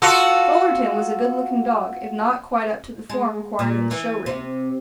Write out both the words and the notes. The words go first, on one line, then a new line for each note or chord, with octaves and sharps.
Fullerton was a good-looking dog, if not quite up to the form required in the show ring.
F4 F#4 A4
G#3
A#2
E3
C3